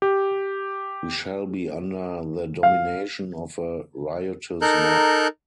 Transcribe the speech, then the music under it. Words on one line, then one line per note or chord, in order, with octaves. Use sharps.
We shall be under the domination of a riotous mob.
G4
F5
D#4 A4 A#4 F#6 G6